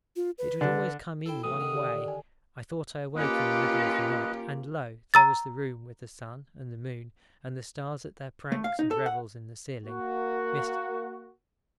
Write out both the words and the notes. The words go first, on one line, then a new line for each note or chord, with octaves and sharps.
It would always come in one way: I thought I awoke in the middle of the night, and lo! there was the room with the sun and the moon and the stars at their pranks and revels in the ceiling--Mr.
F4
B4
D3
E4 A4 C5 G5
B1 A2 E3 D#6
D3 D#3
G4 D5
A4 G#5
A#3 C#4 F4 G4 B4 D#5
A#5 E6 A6
A3
F5
D#4
A4
F#5
A#3 F#4